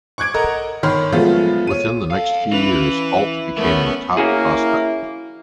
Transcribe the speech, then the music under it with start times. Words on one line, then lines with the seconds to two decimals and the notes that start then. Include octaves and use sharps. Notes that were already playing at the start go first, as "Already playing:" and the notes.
Within the next few years, Ault became a top prospect.
0.18 C#6 D6 F#6 G#6 D7
0.34 A4 A#4 D#5 F#5 A#5
0.83 G1 D#3 C#5 B5 C6 F6
1.12 F3 F#3 G#3 A3 B3 F4
1.67 C#5 D#7
2.10 F2 A4 F5
2.52 E3 C#4 E4 B4
3.57 E3 A3 B3 C#4 A#4 B5
4.17 A#3 C#4 E4 F#4 G#4